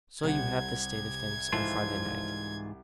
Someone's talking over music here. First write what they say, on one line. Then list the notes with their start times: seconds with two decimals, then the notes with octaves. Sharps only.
So you have the state of things on Friday night.
0.23 C2 C3 F#5 G#6
1.53 G#2 E3 F3 E4 F4 A4